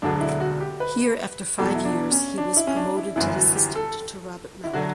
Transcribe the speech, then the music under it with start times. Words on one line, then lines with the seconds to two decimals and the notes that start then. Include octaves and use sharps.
Here after five years he was promoted to Assistant to Robert Mallet.
0.02 E1 D2 D3 F#3 D4
0.21 E4
0.40 F#4
0.61 G4
0.80 B4
1.58 E2 B2 F#3 A4
1.75 E4
1.85 D4
2.12 C#4
2.38 D4
2.57 E4
2.67 C#4
2.76 D4
2.97 E4
3.16 G1 F#2 E3 E4
3.35 F#4
3.56 G4
3.76 A4
4.64 E4
4.73 D3 F#3 F#4